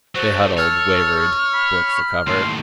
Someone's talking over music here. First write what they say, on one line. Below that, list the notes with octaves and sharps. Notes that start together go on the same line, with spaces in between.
They huddled, wavered, broke for cover.
F#3 A3 F#4 C5
A4 C#5 F6
B5
D#2 A2 C6